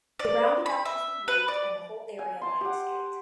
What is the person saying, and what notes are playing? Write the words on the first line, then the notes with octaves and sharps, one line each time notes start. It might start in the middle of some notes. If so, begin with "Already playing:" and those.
The roundabout was removed and the whole area landscaped.
D5
B5
E5
B4
D5
G#5
A5 C6
G4 F#5